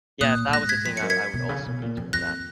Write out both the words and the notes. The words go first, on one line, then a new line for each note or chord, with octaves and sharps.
Yeah, if that was the thing, I would I would also be doing that,
A#2 D#6 F#6
A#2
G#2 F#6 A#6
G#6 B6
F2 B6
F#2 C#7
G#6 B6
B2
C#3
B2
A#2
F2
F2 F#6 A#6